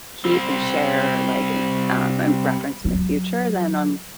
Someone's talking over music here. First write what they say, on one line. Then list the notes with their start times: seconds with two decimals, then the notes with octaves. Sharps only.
keep and share, like, uh, and reference in the future, then, um,
0.24 G3 C4
2.85 F#3